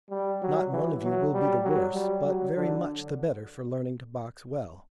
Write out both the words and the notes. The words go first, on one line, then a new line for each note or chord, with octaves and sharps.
Not one of you will be the worse, but very much the better, for learning to box well.
G3
F#3
E3
F#3
G3
F#3
G3
F#3
D3